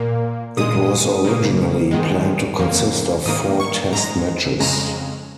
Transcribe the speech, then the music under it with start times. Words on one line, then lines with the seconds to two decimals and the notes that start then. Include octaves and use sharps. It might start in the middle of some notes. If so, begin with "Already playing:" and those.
It was originally planned to consist of four Test matches.
Already playing: A#2 A#3
0.57 A#2 G#3 D#6
1.25 C#3 A#3
1.91 G#2 D#3 G#3
2.59 F2 C#3 A#3
3.26 G#2 D#3 A#3 D#6
3.60 C#6
3.93 G#2 G#3 A#5
4.60 F2 C#3 G#3 A#5